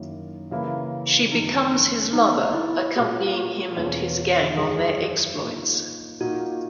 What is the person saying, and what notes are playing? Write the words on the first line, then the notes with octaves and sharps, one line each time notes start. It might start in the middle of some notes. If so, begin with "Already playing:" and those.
She becomes his lover, accompanying him and his gang on their exploits.
Already playing: F#2 D#3 A#3 C#4 E4
C#3 E3 A#3 E4
F#2 D#3 A#3 D#4
C#4
F#3 B3 D#4 F#4 C#5
E4
A#2 A#3 C#4 F#4 G#4
E2 B2 A#3 C#4 G#4
F#2 D#3 G#3 C#4 G#4
A#2 A#3 D#4
A#2 A#3 D#4 F#4